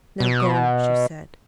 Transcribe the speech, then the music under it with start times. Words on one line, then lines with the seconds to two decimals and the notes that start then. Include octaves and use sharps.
"Now go," she said.
0.20 B2